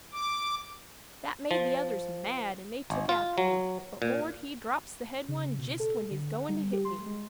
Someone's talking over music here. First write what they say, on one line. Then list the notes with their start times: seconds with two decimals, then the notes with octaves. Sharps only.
That made the others mad an' they took after me, but 'Mord' he drops the head one jist when he's goin' to hit me.
0.12 D6
1.51 F3
2.90 G#1
3.09 F4
3.38 F#3
4.02 A#2
5.29 C#3
5.58 B2
5.80 A4
6.11 D3
6.33 F#5
6.49 G3
6.72 G4
6.85 C6
7.06 G#3